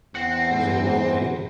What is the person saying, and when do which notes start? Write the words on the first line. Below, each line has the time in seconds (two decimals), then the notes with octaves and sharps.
Were they well made?
0.15 E2 C4 F#5